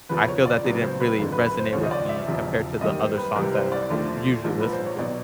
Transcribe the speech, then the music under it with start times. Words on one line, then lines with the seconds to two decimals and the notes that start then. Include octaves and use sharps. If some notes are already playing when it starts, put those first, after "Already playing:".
I feel that they didn't really resonate with me compared to the other songs that I would usually listen to.
0.09 E2 C#3 F3 B4
0.28 C#5
0.45 D5
0.64 C#2 C#3 F#3 B3
0.82 C5
1.00 B4
1.18 F#1 F2 D3 F#3
1.32 B4
1.46 B4
1.59 C5
1.73 D#2 C#3 F3 C#5
1.83 D#5
1.91 D5
2.09 E5
2.27 E1 E2 C#3 F3
2.81 F#2 D#3 G3 A#3 D#5
2.99 C5
3.17 B4
3.35 C2 C3 E3 G3 A#4
3.54 C5
3.72 D5
3.90 D#2 D3 F3 A3
4.44 A#1 G#2 F3 A#3
4.60 B4
4.73 C5
4.86 C#5
4.99 B2 F#3 D5